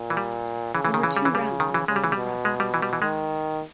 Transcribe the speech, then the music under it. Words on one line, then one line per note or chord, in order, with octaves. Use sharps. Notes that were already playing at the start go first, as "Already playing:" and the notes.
There were two rounds in the voting process.
Already playing: A#2
E3
G3
C#3 E3
E3
D#3
E3
G3
E3
C#3 G3
D#3
E3
C#3 G#3
G3
E3
B2 G3
G#3
G3
E3
G3
E3
D#3 G#3